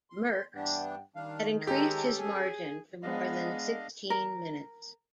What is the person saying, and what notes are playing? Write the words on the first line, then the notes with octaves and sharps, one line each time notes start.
Merckx had increased his margin to more than sixteen minutes.
C6
G2 E3 B3 D4 F#5 G5
D#3 G3 D4 F5
G#3 C#4 G4 A4 A#5
G#4
G#3 B3 D4 D#5 F5
A#4